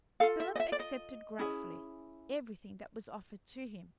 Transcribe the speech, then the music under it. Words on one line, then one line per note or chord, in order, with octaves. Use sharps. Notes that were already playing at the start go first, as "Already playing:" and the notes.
Philip accepted gratefully everything that was offered to him.
F4 A4 F5
E5
D#5
E5
D5
D#5
C#4 E4 G#4